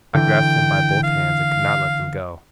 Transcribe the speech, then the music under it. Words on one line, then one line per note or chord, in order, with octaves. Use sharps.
I grasped him by both hands, and could not let them go.
D3 E3 G5
F5